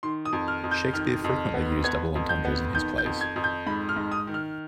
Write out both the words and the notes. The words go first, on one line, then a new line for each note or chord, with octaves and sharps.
Shakespeare frequently used double entendres in his plays.
D#3 C6
D#6
F2
F6
F2
G6
D#3 F6
F2
B3
B3 G#6
F2
G6
B3
D#3 G6
G6
F2
G#6
F2
G6
G#2 B5
F6
G#2
D#6
D#3
F6